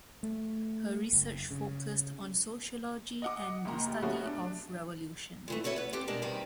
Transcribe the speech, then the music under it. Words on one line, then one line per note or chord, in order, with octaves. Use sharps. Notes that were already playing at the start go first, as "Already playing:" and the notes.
Her research focused on sociology and the study of revolution.
A3
F#1
C#3
D#5 F#5 D6
C#2 A#2 A#5
F1 G4
F3 A3 B3 C#4 F#4
D4
A#2 E3 A3
F#4 A4 B4 C#5 E5
B3 B4
C4 G4 A4
B2 G3 G#3 D4 A#4 A5
C3 D#3 G3 A#4 B4